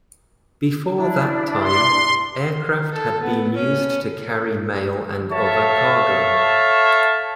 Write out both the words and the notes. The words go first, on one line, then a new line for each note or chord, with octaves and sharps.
Before that time, aircraft had been used to carry mail and other cargo.
D4 E4
C6
A4
B3
C#4
A4 C#5 E5 F5 A5